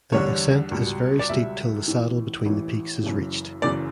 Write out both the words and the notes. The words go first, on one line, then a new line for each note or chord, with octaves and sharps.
The ascent is very steep till the saddle between the peaks is reached.
E2 D3 G3 D4 C#5
C#2 B2 G3
D5
C#2 B2 G3 E5
A1 A2 E3
A1 A2 E3
F#1 F#2 C#3 E3
F#1 F#2 C#3 E3 D5